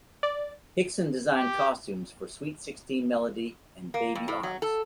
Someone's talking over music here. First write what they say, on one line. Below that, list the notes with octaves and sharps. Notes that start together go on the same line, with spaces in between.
Hickson designed costumes for "Sweet Sixteen Melody" and "Baby Arms".
D5
G4
A#3
F2
A2
F#3
A4